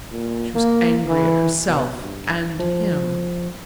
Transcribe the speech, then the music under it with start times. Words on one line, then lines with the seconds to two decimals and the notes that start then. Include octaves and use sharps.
She was angry at herself and him.
0.11 A#2
0.55 A#3
1.07 E3
1.68 B2
2.00 G2
2.59 F3